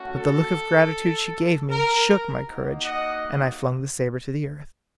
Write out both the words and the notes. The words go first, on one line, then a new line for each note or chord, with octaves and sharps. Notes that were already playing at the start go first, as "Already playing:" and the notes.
But the look of gratitude she gave me shook my courage, and I flung the sabre to the earth.
Already playing: A3 C#4 F#4
A4
A#4
A#3 D#4 F#4
D#5 F#5